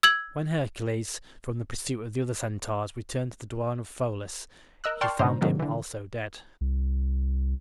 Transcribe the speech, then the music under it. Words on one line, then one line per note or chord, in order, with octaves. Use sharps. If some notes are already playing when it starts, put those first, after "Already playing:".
When Hercules from the pursuit of the other Centaurs returned to the dwelling of Pholus he found him also dead.
E6 G#6 F#7
A#4 D#5 E6 F#6
D5 G5 A5 C6 C#6 F6
G#2 C#3 C#4 D4 C5 A#5
G#2 C3 D#3 F#3 A#3 D4
D3 E3
C2